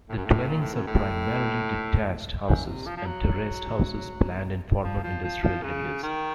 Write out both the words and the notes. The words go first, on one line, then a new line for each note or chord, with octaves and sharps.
The dwellings are primarily detached houses and terraced houses planned in former industrial areas.
A2
F#2
A2
A#2
A2
F#2
A2
F#2
C3
F3
F3
F#3
F3
F3
F3
F3
C#3
D#3